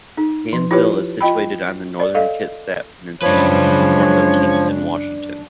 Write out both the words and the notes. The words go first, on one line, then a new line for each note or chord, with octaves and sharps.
Hansville is situated on the Northern Kitsap Peninsula, north of Kingston, Washington.
D#4
F3
E4 F4 G4 B4 C#5
F4 D#5 G5 B5
D5
A4 D#5 F5
F#2 C#3 F3 G#3 D4 B4 C#5